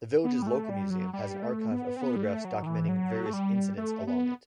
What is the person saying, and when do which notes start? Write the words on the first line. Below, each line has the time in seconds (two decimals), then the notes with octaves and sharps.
The village's local museum has an archive of photographs documenting various incidents along it.
0.24 B3
0.42 G3
0.47 A3
0.69 G3
0.90 F#3
1.13 G3
1.43 A3
1.71 B3
1.97 C4
2.01 B3
2.16 G3
2.24 A3
2.45 F#3
2.63 D#3
2.67 E3
2.89 F#3
3.26 A3
3.33 G3
3.77 A3
4.07 B3